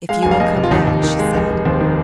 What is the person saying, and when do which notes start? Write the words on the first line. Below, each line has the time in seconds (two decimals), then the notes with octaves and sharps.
"If you will come back," she said.
0.09 G#3 F5
0.22 F1 G#5
0.31 F5
0.40 F2 D#5
0.56 C3
0.64 F4
0.71 D#2 D#4
0.87 D#2
1.03 D#3
1.19 G#3
1.34 F1
1.49 F1
1.65 D#2 C4
1.81 D#3